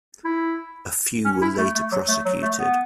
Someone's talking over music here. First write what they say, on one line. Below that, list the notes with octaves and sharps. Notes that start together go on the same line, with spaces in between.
A few were later prosecuted.
E4
C#4
E4
A3
A3
F#3
A3
F#3
A3
B3